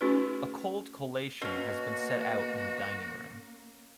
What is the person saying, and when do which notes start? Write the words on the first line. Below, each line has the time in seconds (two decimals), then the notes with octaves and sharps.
A cold collation has been set out in the dining-room.
0.01 A3 C#4 D#4 F#4 G#4 B4
1.42 B2 A#3 C4 C#4 F#4